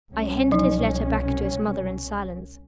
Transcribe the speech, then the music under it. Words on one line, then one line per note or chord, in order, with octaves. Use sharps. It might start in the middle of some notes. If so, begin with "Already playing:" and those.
I handed his letter back to his mother in silence.
C2 B2 C#4
F3 F#3 D#4